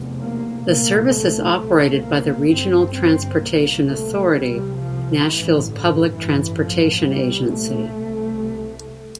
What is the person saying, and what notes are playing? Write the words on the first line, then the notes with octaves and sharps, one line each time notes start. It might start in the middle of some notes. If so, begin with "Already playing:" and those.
The service is operated by the Regional Transportation Authority, Nashville's public transportation agency.
Already playing: F1 E2 C3
A#3
C2 A#2 A#3
A3
C2 A#2 A3
A#3
G1 G2 C4
C4
C2 A#2 A#3
A3
C2 C3 G3
F3
A1 G2 E3
D3
A1 G2 E3
F3
C2 A#2 G3
A3
C2 C3